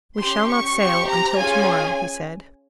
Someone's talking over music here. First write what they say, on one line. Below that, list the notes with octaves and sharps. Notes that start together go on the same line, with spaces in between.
"We shall not sail until to-morrow," he said.
C#4 G4 C6
C#6
C4 G4 C#6
A#5
C#4 F4 G#4 G#5